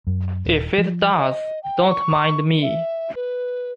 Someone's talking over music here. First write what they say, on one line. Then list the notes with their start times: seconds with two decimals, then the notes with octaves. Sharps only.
If it does, don't mind me.
0.07 F#2
0.46 D#1
0.78 F3
1.19 D#5
1.63 G5
1.88 C#6
2.62 E5
3.15 B4